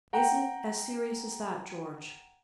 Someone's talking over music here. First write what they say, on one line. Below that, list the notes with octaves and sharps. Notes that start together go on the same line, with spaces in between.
"Is it as serious as that, George?"
F#5 G5 A#5